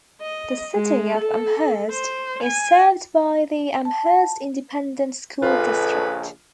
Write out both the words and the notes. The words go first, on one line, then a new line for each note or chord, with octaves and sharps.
The City of Amherst is served by the Amherst Independent School District.
D#5
G#3
A4
C5
G#5
A5
A#1 C#3 F4 A4 B4